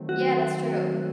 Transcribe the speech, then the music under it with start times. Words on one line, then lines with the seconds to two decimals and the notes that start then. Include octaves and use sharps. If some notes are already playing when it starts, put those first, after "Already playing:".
Yeah, that's true.
Already playing: D#3 F#3 A3 C4
0.09 F#4